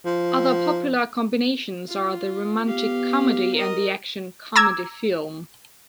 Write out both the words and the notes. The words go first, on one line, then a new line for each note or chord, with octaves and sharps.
Other popular combinations are the romantic comedy and the action comedy film.
F3
F4
B3 G4 F5
A#4 D#5
A#5 D6 E6 G#6